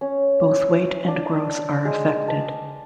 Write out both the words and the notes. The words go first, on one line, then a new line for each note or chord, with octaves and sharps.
Both weight and growth are affected.
C#4
D4
G#3
A5